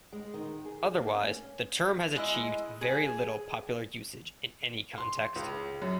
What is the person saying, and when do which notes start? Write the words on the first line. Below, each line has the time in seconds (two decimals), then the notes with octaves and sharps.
Otherwise, the term has achieved very little popular usage in any context.
0.13 G#3
0.34 D#3
0.65 G#4
1.00 A#3
1.15 C#4
2.16 G#3 E4 D#5
2.81 G#4
4.98 C6
5.36 C#2
5.82 F#2